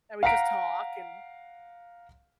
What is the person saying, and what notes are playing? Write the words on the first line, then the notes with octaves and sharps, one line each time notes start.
And we'd just talk and
F5 F#5 A#5 B6 D7